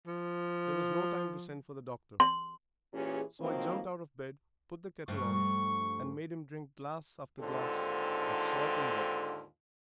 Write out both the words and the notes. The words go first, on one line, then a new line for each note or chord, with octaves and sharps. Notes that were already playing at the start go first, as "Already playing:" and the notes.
There was no time to send for the doctor, so I jumped out of bed, put the kettle on, and made him drink glass after glass of salt and water.
F3
C6
A#2 E3 C#4 G4 G#4
A2 D#3 F3 A#3 C4 F#4
G2 F3 A3 C#6
D#2 G#2 D3 C4 F4 A4